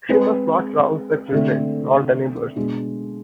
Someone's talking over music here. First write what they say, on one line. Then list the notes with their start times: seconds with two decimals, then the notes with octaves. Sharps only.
She must not rouse the children, nor the neighbours.
0.09 G#3 C4 G#4 B4
1.32 D3 A3 C4
2.56 B2 G#3 D4 G#4